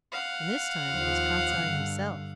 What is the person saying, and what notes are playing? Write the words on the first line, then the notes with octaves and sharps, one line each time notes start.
'And this time it is Kostiei himself.
F5 F#5
D#2 F3
G2 D3